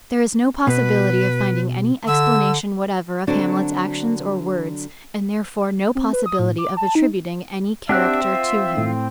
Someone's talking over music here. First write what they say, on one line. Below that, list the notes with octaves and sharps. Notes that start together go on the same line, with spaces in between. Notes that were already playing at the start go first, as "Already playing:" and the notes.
There is no possibility of finding any explanation whatever of Hamlet's actions or words, and therefore no possibility of attributing any character to him.
B2 B4
D3 E6
D3 F#3 C4 D4 F#4
C4
B4
D#6
A2
D6
A5
D#4
C4 D4 G4 C5 E5 F#5 F#6
F4
A2